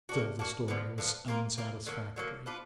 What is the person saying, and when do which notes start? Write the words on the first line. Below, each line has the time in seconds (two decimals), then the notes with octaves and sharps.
Still the story was unsatisfactory.
0.09 A#3 D4 F#4
0.39 A#3 D4 F#4
0.68 D3 F3 B3
0.98 D3 F3 B3
1.28 A#3 F4 A#4
1.58 A#3 F4 A#4
1.86 D3 F#3 A#3
2.16 D3 F#3 A#3
2.46 B3 D4 F4 B4